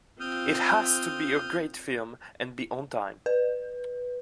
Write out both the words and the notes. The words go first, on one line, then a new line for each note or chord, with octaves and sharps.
It has to be a great film, and be on time.
C4 F4 D#6 F6 G6
B4